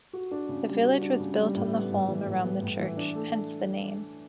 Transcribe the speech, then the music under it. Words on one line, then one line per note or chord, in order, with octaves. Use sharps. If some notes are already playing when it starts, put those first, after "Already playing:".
The village was built on the holme around the church, hence the name.
F#4
D4
C#3
G3
F#4
D4
C#3
G3
A2
B3
A2
E3
A2
B3
A2
E3
D4
A3